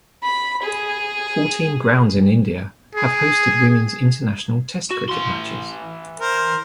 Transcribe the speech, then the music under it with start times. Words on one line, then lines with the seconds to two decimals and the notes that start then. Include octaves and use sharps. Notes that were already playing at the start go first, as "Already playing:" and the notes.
Fourteen grounds in India have hosted women's international Test cricket matches.
0.23 B5
0.62 G#4
2.95 G#4
4.91 F#4
5.09 E3 C6
6.20 A#4 C5